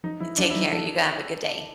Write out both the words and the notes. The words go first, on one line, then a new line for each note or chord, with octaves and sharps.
Take care. You go have a good day.
F3 D#4
F3 E4
F3 D4
E4
F#3 D#4
F3 A4